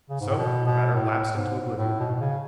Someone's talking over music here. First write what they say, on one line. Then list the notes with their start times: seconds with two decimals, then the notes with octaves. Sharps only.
So the matter lapsed into oblivion.
0.09 C#3
0.21 G#2
0.29 A2
0.38 B2
0.66 B2
0.94 A2
1.36 G#2
1.78 A2
1.99 B2
2.15 B2
2.20 C#3